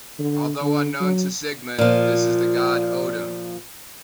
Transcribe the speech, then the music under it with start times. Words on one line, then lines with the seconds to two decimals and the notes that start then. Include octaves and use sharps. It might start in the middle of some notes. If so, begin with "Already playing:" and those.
Although unknown to Sigmund, this is the God Odin.
0.19 D3
0.61 D3
1.00 F#3
1.78 A#2 F3